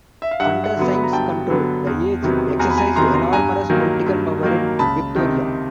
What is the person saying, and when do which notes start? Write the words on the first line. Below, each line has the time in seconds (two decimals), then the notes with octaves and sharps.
Under Syme's control "The Age" exercised enormous political power in Victoria.
0.22 E5
0.31 F5
0.40 G2 E5 F#5
0.64 E5 F#5
0.77 D3 F#3 B3
0.94 B5
1.04 A#5
1.13 G2 G5 A5
1.50 D3 F#3 B3
1.87 E2
2.22 C3 D#3 F#3 B3
2.59 E2 G#5 A#5
2.70 B5
2.77 G#5 A#5
2.96 C3 D#3 F#3 B3 A#5 C6
3.14 A#5 C6
3.33 G2 G#5 A#5
3.70 D#3 F#3 A#3
4.06 G2
4.43 D#3 F#3 A#3
4.79 C#2 A5 B5
5.16 C3 D#3